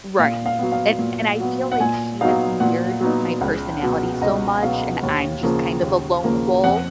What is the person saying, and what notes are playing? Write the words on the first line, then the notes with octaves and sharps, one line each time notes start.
Right, an and I feel like she has mirrored my personality so much, and I'm just kind of a lone wolf.
A#2 F5
F5
F#3 B3
F5
A#2
F#3 B3
F#5
A#2 G#5
F#3 B3 D#4 F5
A#2 F#5
F#3 B3 D#4
C#2
B2 F#3 B3
C#2 D#5
B2 F#3 B3 F5
D#2
C#3 F3 A#3
D#2
C#3 F3 A#3
F2 F#5